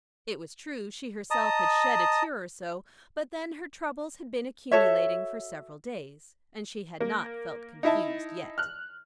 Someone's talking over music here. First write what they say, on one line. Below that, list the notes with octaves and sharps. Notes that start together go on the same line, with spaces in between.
It was true, she herself had shed a tear or so, but then her troubles had been accumulating for several days; and she had not felt confused yet.
D#5 A5 A#5 D#6
F#4 A4 C#5 E5
A#3
D#4 E4 E5 A5
F6 F#6